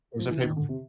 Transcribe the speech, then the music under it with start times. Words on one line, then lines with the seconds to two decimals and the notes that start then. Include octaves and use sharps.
Or is it pay-per-view?
0.19 F3
0.31 E3
0.43 D#3
0.56 D3
0.69 C3